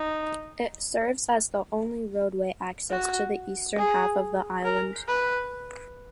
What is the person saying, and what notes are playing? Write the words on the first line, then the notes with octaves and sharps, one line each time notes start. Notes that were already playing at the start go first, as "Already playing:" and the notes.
It serves as the only roadway access to the eastern half of the island.
Already playing: D#4
F#4
G#4
A#4
B4